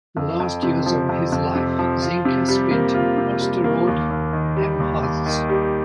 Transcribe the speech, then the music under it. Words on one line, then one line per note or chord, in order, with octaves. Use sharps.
The last years of his life Zenker spent in Osterode am Harz.
F2
F2
C3
F3
F2
F2
C3
F3
F4
C3
G3
A#3
F4
C3
G3
A#3
D#2
D#2
D#3
G3
D#2
D#2
D#3
G3